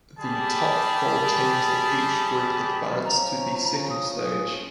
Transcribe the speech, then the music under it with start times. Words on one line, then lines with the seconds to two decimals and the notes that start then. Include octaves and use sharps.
The top four teams of each group advanced to the second stage.
0.20 G3 G4 G#4 A5 B5
3.05 F3 C#4 A#5
3.89 D#6
4.23 D#6